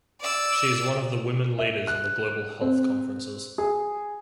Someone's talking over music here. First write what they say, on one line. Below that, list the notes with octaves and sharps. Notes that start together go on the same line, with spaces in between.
She is one of the Women Leaders in the Global Health Conferences.
D5 E6
E5
F#6
C4
G#4